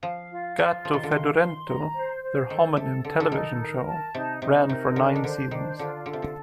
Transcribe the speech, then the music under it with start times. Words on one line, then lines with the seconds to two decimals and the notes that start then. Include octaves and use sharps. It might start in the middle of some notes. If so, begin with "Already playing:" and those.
"Gato Fedorento", their homonym television show, ran for nine seasons.
0.02 F3 F5
0.31 F4
0.57 F3 F4
0.85 F3 C6
0.93 D#3
1.03 D3
1.11 D#3 F5
1.40 C6
1.67 A#5
1.94 C5
2.22 C5
2.50 D#3 A4
2.77 C3 A4
3.04 D3 A4
3.20 D3
3.31 D#3 D#4
3.59 A#4
3.87 A5
4.14 C3 D#4
4.42 C3 D#4
4.69 C3 A#4
4.96 D3 D4
5.16 D#3
5.24 D3 C5
5.51 D#3 D4
5.78 D3 F4
6.06 D3 A4
6.13 C3
6.22 D3